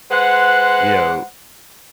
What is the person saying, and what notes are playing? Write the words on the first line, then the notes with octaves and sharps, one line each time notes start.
you know,
G#3 B4 C5 F#5